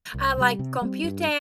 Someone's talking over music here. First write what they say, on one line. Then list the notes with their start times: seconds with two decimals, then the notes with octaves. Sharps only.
Uh, like,, "computer"
0.14 C2
0.37 C3 G3
0.59 C3
0.82 G3 C4
1.04 G2